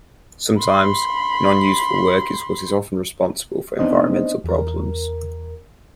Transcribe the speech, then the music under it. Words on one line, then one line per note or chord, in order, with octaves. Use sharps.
Sometimes, non-useful work is what is often responsible for environmental problems.
B5 C6
B3 C4 D4 D#4 C5 D#5
E2 A#4